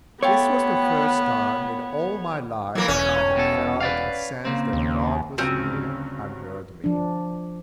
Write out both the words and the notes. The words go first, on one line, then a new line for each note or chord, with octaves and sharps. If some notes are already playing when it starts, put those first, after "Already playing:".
This was the first time in all my life that I had felt a sense that God was near, and heard me.
A3 B3 F4 G4 C#5
E3 F#3 A#3
E1 E3 C#4
E2 B2 A4
B4 D5 F5
C#3 A#3 C4
D#2
D2 G2 C#3 F3 F#3 C4 C#4
F3 D4